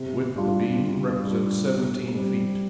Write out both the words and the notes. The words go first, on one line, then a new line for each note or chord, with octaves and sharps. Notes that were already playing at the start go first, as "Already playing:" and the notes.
The width of the beam represents seventeen feet.
Already playing: C3
G3 D4 F4
C3
G3 D4 F4
C3
G3 C4